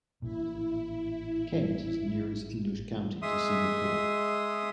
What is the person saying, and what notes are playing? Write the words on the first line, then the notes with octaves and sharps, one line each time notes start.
Kent is the nearest English county to Singapore.
A1 A#2 E4
G#3 E5 C6 D#6